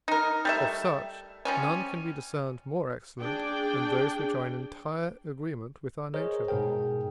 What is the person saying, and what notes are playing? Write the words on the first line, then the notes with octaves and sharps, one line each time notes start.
Of such none can be discerned more excellent, than those which are in entire agreement with our nature.
D#4 A#4
G3 A3 E5
F3 G3 C#4
D4 G#4 D5 G5
G#4 A#4 C5 C#5 D#5
G#2 B2 G#4 A#4 G5